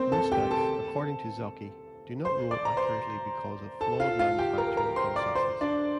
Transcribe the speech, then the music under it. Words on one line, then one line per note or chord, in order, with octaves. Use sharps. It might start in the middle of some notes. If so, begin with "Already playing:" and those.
Most dice, according to Zocchi, do not roll accurately because of flawed manufacturing processes.
Already playing: A#3 C4 C5
A4 A5
G4 G5
A4 A5
C5 C6
D5 D6
A#5
C5 C6
A4 A5
F4 F5
F4 F5
G4 G5
A#4 A#5
A#4 A#5
C5 C6
D5 D6
C5 C6
D4 D5